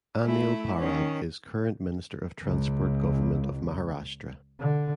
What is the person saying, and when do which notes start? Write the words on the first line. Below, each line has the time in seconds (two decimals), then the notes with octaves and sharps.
Anil Parab is Current Minister of Transport Government of Maharashtra.
0.24 A3 E4
0.77 D#3 C#4
2.45 C#2
4.59 D3